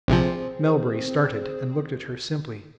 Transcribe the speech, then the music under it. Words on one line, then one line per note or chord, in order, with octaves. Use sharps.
Melbury started, and looked at her simply.
A#1 C3 F3 C4 G#4 C5